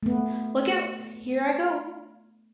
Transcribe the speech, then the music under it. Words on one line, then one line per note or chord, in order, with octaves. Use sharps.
Look out — here I go!
A3 B3